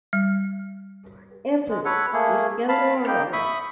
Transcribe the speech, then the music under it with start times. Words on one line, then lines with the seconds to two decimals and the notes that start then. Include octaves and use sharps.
Anthony, we can get along on that.
0.13 G3
1.69 G#3
1.85 A4 B4 C#5 F#5
2.13 A3 A#3 G#4
2.69 F5 A5 B5
3.07 A#3 D#4 G5
3.33 E5 B5 C#6 D#6